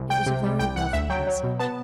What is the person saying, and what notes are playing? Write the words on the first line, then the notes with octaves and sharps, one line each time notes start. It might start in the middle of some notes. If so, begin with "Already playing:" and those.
It was a very rough passage.
Already playing: C2
C2 G5
C3
G3
C2 G5
C2 F#5
D2 E5
F#3 G5
F#3
B2
B3 A5